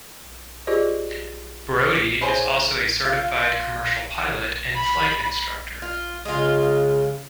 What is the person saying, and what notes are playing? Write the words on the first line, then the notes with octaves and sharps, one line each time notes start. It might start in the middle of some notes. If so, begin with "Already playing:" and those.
Brody is also a certified commercial pilot and flight instructor.
F4 G4 G#4 C5 D5 D#5
E4 G#4 C5 C#5
F4
B5
F4
C#3 G#3 F4